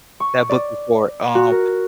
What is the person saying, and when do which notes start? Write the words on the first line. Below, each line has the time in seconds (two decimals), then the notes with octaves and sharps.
that book before, um
0.20 C#6
0.49 D5
1.35 F#4
1.52 A#4